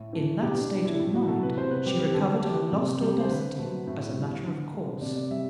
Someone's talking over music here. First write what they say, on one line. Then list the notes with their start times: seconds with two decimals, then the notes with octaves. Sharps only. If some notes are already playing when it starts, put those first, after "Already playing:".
In that state of mind she recovered her lost audacity, as a matter of course.
Already playing: A2
0.13 E3 A3
0.42 B2 G4
0.57 D4
0.70 G3 D4
0.85 E4
1.00 A2 E4
1.14 F#4
1.28 F#3 A3 A4
1.43 B4
1.57 C3 C5
1.71 B4
1.86 G3 G4
2.00 G4
2.14 D3 A4
2.43 A3 G4
2.72 C3
3.01 G3
3.20 C5
3.29 D3 B4
3.59 F#3 A3
3.87 A2
4.15 G3
4.45 D3
4.74 A3
5.01 C3 D5
5.16 D5
5.30 G3 E5